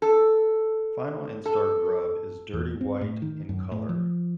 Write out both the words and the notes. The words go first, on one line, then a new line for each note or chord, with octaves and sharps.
Final instar grub is dirty white in color.
A4
A4
E2
C4
A2
D#3
F#2
A2
F3